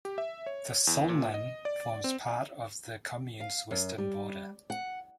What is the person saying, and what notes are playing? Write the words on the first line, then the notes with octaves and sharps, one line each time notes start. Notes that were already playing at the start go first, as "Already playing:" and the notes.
The Solnan forms part of the commune's western border.
G4
E5
C#5
E2
A#2
D#5
D5
C4
F5
F#2
G3
F#5